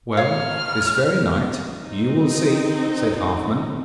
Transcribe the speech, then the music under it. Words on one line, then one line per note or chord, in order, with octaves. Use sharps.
'Well, this very night you will see!' said Halfman.
C#5 F5 F6
C4 D#4